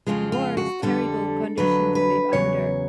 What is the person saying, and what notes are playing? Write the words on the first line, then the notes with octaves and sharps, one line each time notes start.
War is a terrible condition to live under.
F2 C#3 F3 G#3 F4
F4
F#4
F2 D3 G3 A4
F2 D3 F#3 B4
B4
E2 C#3 F#3 C#5